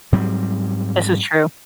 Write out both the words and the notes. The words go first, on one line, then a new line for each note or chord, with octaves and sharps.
This is true.
G#2 F#3 G3 C4